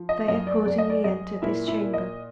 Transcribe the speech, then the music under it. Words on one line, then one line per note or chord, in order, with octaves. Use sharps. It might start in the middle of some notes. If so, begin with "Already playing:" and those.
They accordingly entered his chamber.
Already playing: F3
D#5
F#2 D#5
D5
F#2 D5
D#5
D5
F#2 D#5
A#2 E4 E5
E4 E5
A#2
D#5